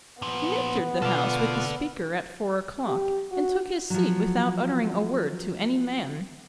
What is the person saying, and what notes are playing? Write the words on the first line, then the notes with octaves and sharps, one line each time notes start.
He entered the House with the Speaker at four o'clock, and took his seat without uttering a word to any man.
A#2 F3 B3
B2 F4 A4 D5
G4
F#4
F3 F#3